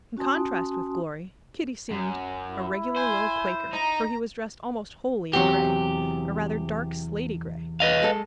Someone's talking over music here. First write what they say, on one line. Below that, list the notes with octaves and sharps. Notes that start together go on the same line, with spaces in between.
In contrast with Glory, Kitty seemed a regular little Quaker, for he was dressed almost wholly in gray, a rather dark, slaty-gray.
C#4 F#4 G#5 A5 C6 D#6
F#2
E4
C5 G#5
D#4 A#5
E2 C3 F#3 G4
B4 D#5 F5
G#3 A4